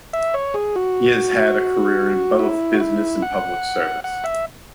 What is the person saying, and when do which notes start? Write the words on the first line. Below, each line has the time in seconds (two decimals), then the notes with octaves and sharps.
He has had a career in both business and public service.
0.13 E5
0.34 C#5
0.54 G#4
0.76 F#4
2.39 E4
2.74 F#4
2.80 E4
3.22 F#5
4.04 F#5
4.24 E5